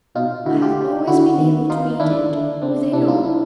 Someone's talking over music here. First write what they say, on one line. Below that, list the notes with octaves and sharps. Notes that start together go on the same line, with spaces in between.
I have always been able to meet it with a No!
B2 D#4 F4
D3 E4 F#4
F4 G4
D3 E4 F#4
D#3
D#4 F4
D#3 D4 E4
D3
C#3 C4 D4
C3 D4 E4
D#4 F4
D4 E4